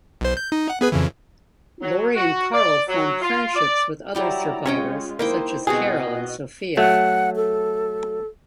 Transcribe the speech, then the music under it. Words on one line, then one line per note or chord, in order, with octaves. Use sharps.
Lori and Carl form friendships with other survivors such as Carol and Sophia.
B1 C5
G6
D#4
F#5
B3 G#4 B4
F2 C#3 E3
F#3
F#4
D5
F#3
F4
D5
F#3 G3 E4 C5 D5 A#5
G#3 C#4 F4 C#5 D#5 G5
A#3 D#4 E4 C5 G5
B2 C4 F#4 G#4 D#5
F#3 A3 F#5
A4